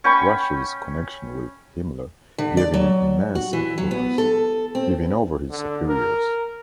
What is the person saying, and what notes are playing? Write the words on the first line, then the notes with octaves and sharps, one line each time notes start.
Rascher's connection with Himmler gave him immense influence, even over his superiors.
C#4 G5 B5 C#6
D3
D5
F#3
F#4
E3
F#3
B3
A4
C4
D3
A#4